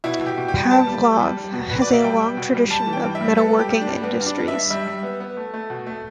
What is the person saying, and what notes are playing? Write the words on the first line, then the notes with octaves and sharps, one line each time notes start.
Pavlovo has a long tradition of metalworking industries.
B2 E4
B2
G4
B2
G4
G3
B3 A5
G3
G3
G3
G3
B2
B2 B4
D5
B2
E5
G3 G5
G3
B2
G3
G3 A5
E3
G5
G2
E5
G3
B3 A4
G3
G4
G3
D4
G2
G3 B3
G2
D4
B3
E5
G2
G3 E5
G3
B3
B3
A3
A3
B2
A3